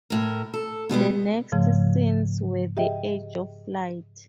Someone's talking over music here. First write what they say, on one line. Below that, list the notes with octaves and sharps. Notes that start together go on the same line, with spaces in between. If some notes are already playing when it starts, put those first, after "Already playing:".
The next scenes were the "Age of Flight".
A2 A#4
A4
B2 G3 G#3 B3
G#2 C#3 F3 A3
G4 G#4 D#5 E5 G5